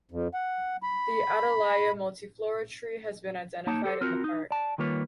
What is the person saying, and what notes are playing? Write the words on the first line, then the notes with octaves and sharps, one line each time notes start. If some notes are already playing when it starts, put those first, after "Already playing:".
The "Atalaya multiflora" tree has been identified in the park.
F2
F#5
B5
A#3 D#4 C#5 A5
G4 A4 C5
C4 F4 F#4 A#4
D#4
D5 A5
D#3 G3 A#3 F4 B4 C#5